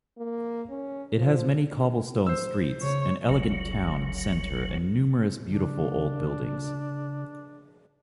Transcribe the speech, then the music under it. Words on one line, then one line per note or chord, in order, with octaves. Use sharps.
It has many cobblestoned streets, an elegant town center and numerous beautiful old buildings.
A#3
C#4
F3
C5 E6
C#3 C#5
F#1 C#2 F#3
C#3 D4